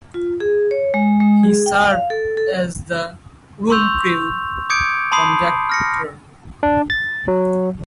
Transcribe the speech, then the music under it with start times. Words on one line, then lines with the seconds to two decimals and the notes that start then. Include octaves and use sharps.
He served as the "Worm Crew" conductor.
0.14 F4
0.40 G#4
0.71 C#5
0.94 G#3
1.20 G#3
1.43 G#4
1.66 G5
1.90 F5
2.10 A4
2.37 A4
3.70 C6 C#6 E6 G6 F7
4.70 D6 D#6 G6 G#6 C#7 D7
5.12 A5 B5 C6 D#6 C7
5.69 F6 A#6 C#7
6.63 D4
6.90 A6
7.28 F#3